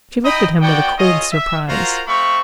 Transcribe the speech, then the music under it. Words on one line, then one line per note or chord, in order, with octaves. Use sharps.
She looked at him with a cold surprise.
D#4 E4 D#5 G5 B5 D#6
B3 F#4 D5 F#5 G5
F4 G#4 C#5 D#5
E5
F4 F#4 A#4 C5 A#5
A3 C4 F5 B5 C#6